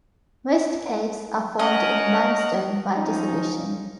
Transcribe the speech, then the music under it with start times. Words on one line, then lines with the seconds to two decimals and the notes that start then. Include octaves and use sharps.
Most caves are formed in limestone by dissolution.
1.59 C#4 A#4 D#5 F#5
2.95 F3 C#4 D#4